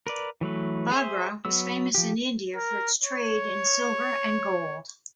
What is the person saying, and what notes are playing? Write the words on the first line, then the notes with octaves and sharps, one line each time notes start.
Bagra was famous in India for its trade in silver and gold.
A#4 B4 D5
E3 F#3 A3 B4
G#4 C5 E5
F#3 B3 E6
F3 G4
A#4
C#5